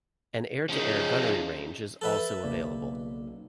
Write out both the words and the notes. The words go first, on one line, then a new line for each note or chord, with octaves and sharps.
An air-to-air gunnery range is also available.
C#3 F3 D#4
A4 B4 E5
B1 C#3 A#3 D5